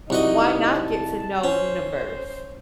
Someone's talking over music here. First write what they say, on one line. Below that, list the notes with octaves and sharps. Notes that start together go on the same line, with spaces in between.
why not get to know universe?
C2 D#4 F#4 D#5
A5
C#4 C5